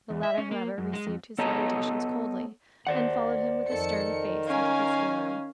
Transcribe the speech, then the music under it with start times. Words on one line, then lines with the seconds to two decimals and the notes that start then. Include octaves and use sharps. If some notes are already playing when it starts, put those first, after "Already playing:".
The latter, however, received his salutations coldly, and followed him with a stern face into the sitting-room.
0.10 E2
0.23 E5
0.38 C#4
0.51 A#3
0.78 F#2
0.93 G#3
1.07 F2
1.38 B3 A4 C#5 D#5 A5 A#5
2.87 D#2 C5 D5 F#5
3.68 F2 D#3 A4 C#7
4.47 C#4 A#4 F5 G#5